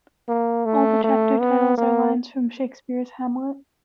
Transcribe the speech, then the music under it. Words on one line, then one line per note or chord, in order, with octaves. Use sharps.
All the chapter titles are lines from Shakespeare's "Hamlet".
A#3
A3
A3
B3
A#3